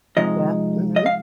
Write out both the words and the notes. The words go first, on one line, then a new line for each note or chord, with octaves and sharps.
Yeah, mhm.
C3 F3 G#3 D#4 D#5
D#5
F5